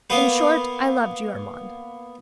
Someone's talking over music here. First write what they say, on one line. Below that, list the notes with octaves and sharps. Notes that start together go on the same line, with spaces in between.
In short, I loved you, Armand.
A#3 B3 B4